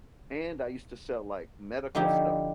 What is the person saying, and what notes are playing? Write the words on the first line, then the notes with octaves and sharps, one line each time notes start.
and I used to sell like medical stuff
D3 F3 D#4 E4 G4